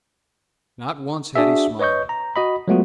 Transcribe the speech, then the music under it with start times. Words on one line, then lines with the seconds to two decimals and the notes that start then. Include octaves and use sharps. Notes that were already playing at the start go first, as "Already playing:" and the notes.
Not once had he smiled.
1.35 D4 F#4 G#4 E5
1.79 B4 C#5 D#5 C#6 G6
2.09 A#5
2.36 F#4 D#5 B5
2.68 F#3 G#3 A3 B3 F4 F#4